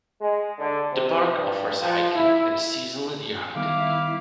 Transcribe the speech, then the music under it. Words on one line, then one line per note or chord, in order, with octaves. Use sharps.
The park offers hiking and seasonal deer hunting.
G#3
D3
C3
G2
F3
E4
D#3 G3 B3 E4 F5 D6